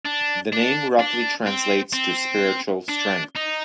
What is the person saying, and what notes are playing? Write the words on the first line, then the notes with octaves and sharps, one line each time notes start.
The name roughly translates to "spiritual strength".
D4
D4
D4
C4
C4
D4
D#4